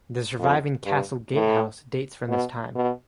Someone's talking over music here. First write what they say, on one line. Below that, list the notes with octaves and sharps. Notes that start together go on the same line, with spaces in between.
The surviving castle gatehouse dates from this time.
F2
G2
A2
B2
B2